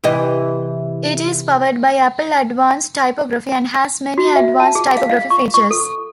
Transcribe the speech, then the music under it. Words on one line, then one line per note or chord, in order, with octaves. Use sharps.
It is powered by Apple Advanced Typography and has many advanced typography features.
C3 E3 D#5
F#4
E5
A5
G#4
F5
F5
C#6
C#6
A4